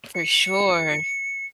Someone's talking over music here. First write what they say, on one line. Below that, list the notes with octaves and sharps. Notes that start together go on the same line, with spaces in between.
For sure.
C#7